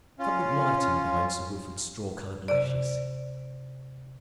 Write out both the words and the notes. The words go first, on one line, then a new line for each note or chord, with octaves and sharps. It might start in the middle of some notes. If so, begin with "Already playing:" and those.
Something lightened behind Sir Wilfrid's straw-colored lashes.
C#4 F4
C3 D5